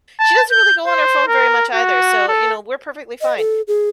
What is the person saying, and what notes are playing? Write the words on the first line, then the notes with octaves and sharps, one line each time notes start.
she doesn't really go on her phone very much either, so, you know, we're perfectly fine.
A5
G6
C5
A#4
F#4
A4
D#5
A4
G#4